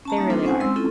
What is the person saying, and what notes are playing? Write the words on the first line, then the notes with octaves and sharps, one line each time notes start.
they really are.
C#4 A5 A#5
G3 A#3 D#4 E5
C4 D4 D#4 F4 A4 C5
C4 C#4 D#4 C5 F#5 G#5
G#3 C4 C6 E6
C4 C#4 E4 F4 A4